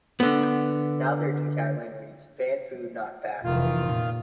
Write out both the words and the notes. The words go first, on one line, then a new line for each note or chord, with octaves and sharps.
Now, their new tagline reads, "Fan Food, not Fast Food".
D3 B3
F1 D#3 E3 F4
A#2